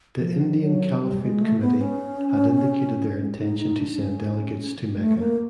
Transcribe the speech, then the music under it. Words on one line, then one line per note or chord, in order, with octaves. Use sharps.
The Indian Caliphate Committee had indicated their intention to send delegates to Mecca.
E3
F3
F#3
G3
G#3
A3
B3
C#4
D#4
D#4
D4
D4
C#4
A3
A#3